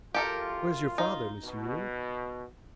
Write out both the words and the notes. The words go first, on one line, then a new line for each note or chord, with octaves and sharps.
'Where's your father, Miss Yule?'
F#2 F4 G4 A4 A#4
D#4
B2